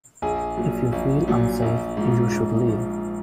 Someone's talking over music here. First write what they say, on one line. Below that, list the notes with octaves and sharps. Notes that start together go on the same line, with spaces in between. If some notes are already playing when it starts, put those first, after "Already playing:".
If you feel unsafe, you should leave.
A#1 G#4 G#5
A#2 F#3
A#1
A#2 F#3
A#1
G#2 F3
A#1
G#2 F3